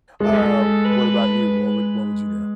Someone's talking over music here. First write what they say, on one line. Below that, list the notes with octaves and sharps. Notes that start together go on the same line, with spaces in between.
Uh, what about you? What would what would you do?
G#3 A4
B4